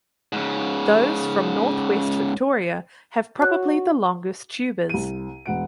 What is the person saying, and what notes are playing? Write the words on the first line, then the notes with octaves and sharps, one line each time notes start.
Those from northwest Victoria have probably the longest tubers.
G#2 C#3
F#4 C#5 F#6
C2 D#7
E1 F#5 D7